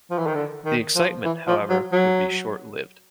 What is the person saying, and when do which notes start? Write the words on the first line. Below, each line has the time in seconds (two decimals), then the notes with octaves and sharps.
The excitement, however, would be short-lived.
0.10 F3
0.18 E3
0.26 D#3
0.35 D3
0.65 D#3
0.95 F3
1.25 E3
1.47 F3
1.69 F#3
1.92 F#3